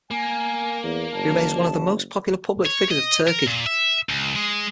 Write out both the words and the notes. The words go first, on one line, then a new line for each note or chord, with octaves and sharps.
He remains one of the most popular public figures of Turkey.
A#3 G#5
E2
F#1 A5
C#5
D#5
A#4
A#2
E5
C#2
G#3